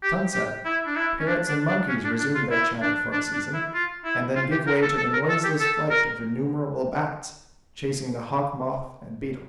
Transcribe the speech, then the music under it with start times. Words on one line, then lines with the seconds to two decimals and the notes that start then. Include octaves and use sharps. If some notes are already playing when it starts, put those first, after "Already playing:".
At sunset parrots and monkeys resume their chatter for a season, and then give way to the noiseless flight of innumerable bats chasing the hawk-moth and beetle.
0.03 G4
0.34 G4
0.65 E4
0.86 D4
0.96 E4
1.19 C#4
1.27 D4
1.48 D4
1.68 D4
1.89 C#4
2.04 D4
2.19 D4
2.35 F4
2.50 E4
2.82 D4
3.12 D4
3.33 D4
3.54 E4
3.74 F4
4.05 E4
4.35 F4
4.51 G4
4.67 A#4
4.82 A4
4.97 A4
5.13 A#4
5.29 A4
5.44 G4
5.60 A4
5.90 A#4